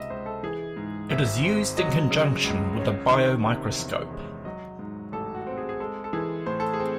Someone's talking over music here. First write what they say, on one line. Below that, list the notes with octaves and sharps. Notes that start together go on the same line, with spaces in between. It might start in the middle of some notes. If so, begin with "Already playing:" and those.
It is used in conjunction with a biomicroscope.
Already playing: C#2 C3 D#5 E5
C#2 C5
A4
E3 G#4
G#2
G#1 E5
C4
F#3 D#5
C#3
C#2
C#4
D#3
C3
E2
G#3
F#3 D#5
G#2
A1 A4
F#4
C4
G#4
G#4
G#3 A4
A4
E3 G#4
A2 C5
A4
G#4
C4